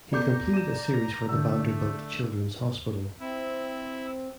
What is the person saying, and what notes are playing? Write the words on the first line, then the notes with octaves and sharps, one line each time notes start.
He completed a series for Vanderbilt Children's Hospital.
B3 A4 D5 A#5 D6 G6
D#7 E7
D3 A3 E6
C4 E4